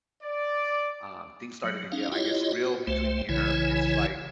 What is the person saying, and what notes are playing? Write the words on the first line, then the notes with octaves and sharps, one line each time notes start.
uh, things started to get, I guess, real between me and her, it's, like
D5
F#3
C#4 D#4 F5
E4 F4 G4 C#5 D#5
F#4
C2 A3 C5
B1 C#3 E3 E4 C#5 G#5